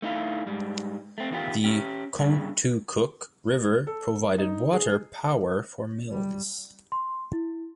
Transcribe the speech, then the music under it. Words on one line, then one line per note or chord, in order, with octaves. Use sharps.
The Contoocook River provided water power for mills.
A3 D#4 E4 F5
G#2 G3
A3 C4
E2 D#3 G#3 A#3 F4 G4
C#4 G4
G2 C#3
A4
D#4
G#4
G3
C6
E4